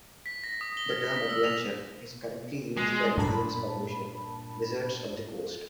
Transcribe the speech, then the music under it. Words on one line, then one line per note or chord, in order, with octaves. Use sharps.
The term "adventure" is currently used by the game's publisher Wizards of the Coast.
B6
A#6
D#6
G7
F6
A#6
B6
E6
F7
G#3
G2 A#2 A5 B5